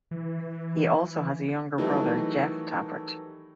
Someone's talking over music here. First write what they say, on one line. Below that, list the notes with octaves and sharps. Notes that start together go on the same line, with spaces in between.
He also has a younger brother, Jeff Tapert.
E3
D#3 E3 F#3 G3 A3 D#4